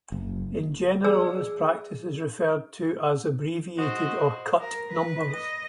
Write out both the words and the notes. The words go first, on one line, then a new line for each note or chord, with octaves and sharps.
In general, this practice is referred to as abbreviated or "cut" numbers.
F#1
G#4 D5 E6
F#4 C5 D#5
A#4
B4
D#5